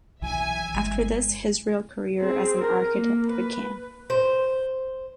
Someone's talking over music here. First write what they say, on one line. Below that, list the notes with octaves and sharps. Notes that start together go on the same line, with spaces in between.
After this his real career as an architect began.
B1 E3 E5 G#5
G1 G#3
C4 G#4
A#4
A#3
B4
C5